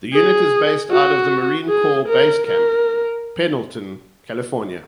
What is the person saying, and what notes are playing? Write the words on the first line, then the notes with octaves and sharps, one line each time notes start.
The unit is based out of the Marine Corps Base Camp Pendleton, California.
G#4
F#4
G#4
A#4
A#4